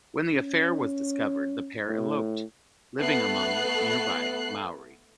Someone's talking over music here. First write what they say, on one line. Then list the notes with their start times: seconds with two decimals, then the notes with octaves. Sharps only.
When the affair was discovered the pair eloped, living among nearby Maori.
0.33 C#4
1.88 A2
2.99 A3 B3 F#6 C7